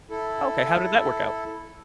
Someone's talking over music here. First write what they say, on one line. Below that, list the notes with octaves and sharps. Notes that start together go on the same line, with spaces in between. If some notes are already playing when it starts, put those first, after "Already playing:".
Okay, how did that work out?
E4 A4